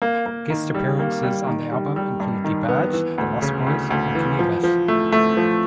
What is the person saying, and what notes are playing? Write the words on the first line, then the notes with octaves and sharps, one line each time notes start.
Guest appearances on the album included DeBarge, the Lost Boyz and Canibus.
A#3
A#3
D#3
G3
A#3
G3
D#3
G3
G3
G2
D#3
B3
E3
D2
C#3
D2
D2
E3
F3
F3
A3
A3
F3